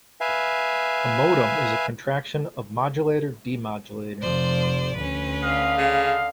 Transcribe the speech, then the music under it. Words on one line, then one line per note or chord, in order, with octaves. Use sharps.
A modem is a contraction of "modulator-demodulator".
B4 E5 F5 G#5
F1 F3 C5 D5
D2 C#4 B4
D3 D#5 F5
C#3